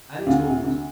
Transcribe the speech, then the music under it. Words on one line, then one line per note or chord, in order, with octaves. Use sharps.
And tools.
G4
D2 F4
C3
D2